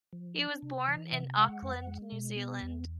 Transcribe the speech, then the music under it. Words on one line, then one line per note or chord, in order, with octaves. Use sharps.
He was born in Auckland, New Zealand.
F3
D4
C3
E3
C3 E5
G#3 F#5
F2
G#3
B2
B3
E2